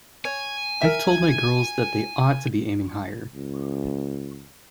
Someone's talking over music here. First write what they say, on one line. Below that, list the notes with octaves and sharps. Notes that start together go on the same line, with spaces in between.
I've told my girls that they ought to be aiming higher.
C#5 G#5
A#4 E5
C#2